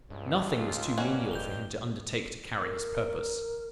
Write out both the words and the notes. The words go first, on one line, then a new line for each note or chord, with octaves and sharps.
Nothing was too menial for him to undertake to carry his purpose.
C#2 G2
F4
G2 A#3 C#4 F#4 C#5 D#5
E1 G6 F7 G7
A#4